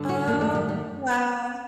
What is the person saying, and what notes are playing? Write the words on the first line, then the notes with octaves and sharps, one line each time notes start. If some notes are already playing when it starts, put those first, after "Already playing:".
Oh, wow.
Already playing: G2 D3
F#4
F#2 D#3 A#3
A3
G3
G3